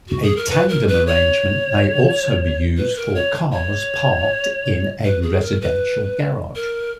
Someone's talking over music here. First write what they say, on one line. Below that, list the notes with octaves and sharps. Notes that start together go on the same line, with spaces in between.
A tandem arrangement may also be used for cars parked in a residential garage.
F#4
G#4
A#4
B4
A#4
B4
C#5
B4
A#4
C#5
C#5
B4
G#4
A#4
B4
A#4